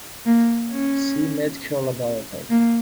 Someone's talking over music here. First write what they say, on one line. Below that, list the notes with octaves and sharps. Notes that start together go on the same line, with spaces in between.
See Medical laboratory.
A#3
C#4
A#3